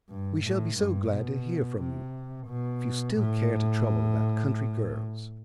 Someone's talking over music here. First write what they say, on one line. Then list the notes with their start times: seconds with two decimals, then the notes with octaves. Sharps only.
We shall be so glad to hear from you, if you still care to trouble about country girls.'
0.09 G2
0.43 A2
0.77 G2
1.11 B2
1.79 C3
2.47 B2
3.15 A2